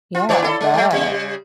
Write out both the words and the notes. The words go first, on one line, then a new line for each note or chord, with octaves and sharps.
Yeah, I bet.
F4
E3 C#5 D5
E4 A4
G#3
G#3 A3
C#3 G3